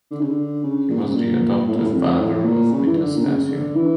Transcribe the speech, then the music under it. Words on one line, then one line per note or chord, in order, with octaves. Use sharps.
He was the adoptive father of Metastasio.
D3
C#3
D3
C#3
A#2
C#3
A#2
A2
A#2
A2
F2
A2
A#2
C#3
E3
D3
A#2
C#3
C#3
D3
E3